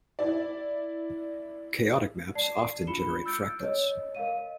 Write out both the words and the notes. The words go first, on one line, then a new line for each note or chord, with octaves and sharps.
Chaotic maps often generate fractals.
E4 D5
D5 A5 C7
D4 F4 B5 C#7 E7 G7
E6 F6 G6 A6 C#7 D7
C#5 D#5
A#4 D#5 F5 D#7